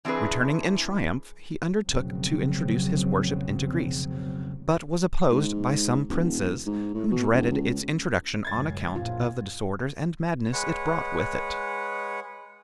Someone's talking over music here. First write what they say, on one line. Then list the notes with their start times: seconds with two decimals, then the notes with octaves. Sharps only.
Returning in triumph, he undertook to introduce his worship into Greece, but was opposed by some princes, who dreaded its introduction on account of the disorders and madness it brought with it.
0.05 E3 C4 D4 G#4 B4
1.87 F1 B1 F2 C#3 F#3 C4
5.31 G#2
6.09 E1
6.66 G#2
6.94 A2
7.11 B2
7.34 E1
7.50 C#2
8.45 C#2 F#2 A2 G#6 A6
8.96 A#1 A2 F4
10.53 G#3 B4 C#5 F#5